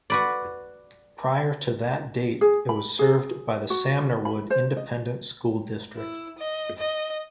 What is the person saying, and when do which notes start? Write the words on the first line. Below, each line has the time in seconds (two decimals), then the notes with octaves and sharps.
Prior to that date it was served by the Samnorwood Independent School District.
0.10 F#4 B4 D5
2.41 G#4
2.69 B5
2.99 G#4
3.70 F#4
4.25 B5
4.50 C5
4.77 D#5
5.96 E4
6.39 D#5
6.78 D#5